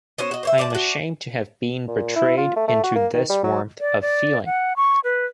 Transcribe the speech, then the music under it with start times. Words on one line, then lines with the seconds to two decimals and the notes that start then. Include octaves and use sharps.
I am ashamed to have been betrayed into this warmth of feeling.
0.18 B3 C#4 F#4 C5
0.31 F#4 D#5
0.43 C5 C#5 E5
0.58 F3 D5 E5 A5
0.70 D4 F#4
1.87 A#2
2.16 E4
2.38 F4
2.56 A3
2.68 A3
2.83 F#4
2.95 A#3
3.14 D#3
3.29 G3
3.43 F#3
3.80 D5
4.01 D5
4.46 F#5
4.77 C#6
5.04 B4